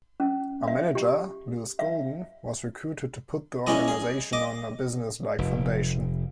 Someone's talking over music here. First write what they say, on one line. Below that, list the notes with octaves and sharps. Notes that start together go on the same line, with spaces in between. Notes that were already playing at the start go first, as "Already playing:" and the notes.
A manager, Lewis Golden, was recruited to put the organisation on a businesslike foundation.
C#4
E5
G4
E5
C#4 E4 G#4 D5 D#5
G#4
D#5 D6
F1